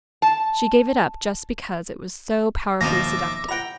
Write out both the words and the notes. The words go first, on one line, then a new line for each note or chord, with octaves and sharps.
She gave it up just because it was so powerfully seductive.
A5
D#2 B2 F3 D#4 E5 F5 D6 A#6
F#5 G5 A#5 B5